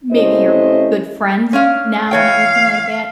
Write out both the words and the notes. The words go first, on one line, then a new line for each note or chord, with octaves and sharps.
maybe you're good friends now and everything like that,
C3 A3 C#4 E4 C5 D#5
C#4 D4 F5
E3 C#5 F5 G5